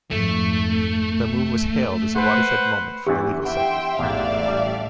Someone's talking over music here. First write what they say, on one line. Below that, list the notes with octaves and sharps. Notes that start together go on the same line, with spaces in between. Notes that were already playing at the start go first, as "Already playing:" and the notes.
The move was hailed as a 'watershed moment' for the legal sector.
G#1 F2 A3
B4 C5 F#5
E2 E3 D4 G4
E3 B3 E5 G5 C6
A1 E2 G#2 D5 E5 F5
G3 D4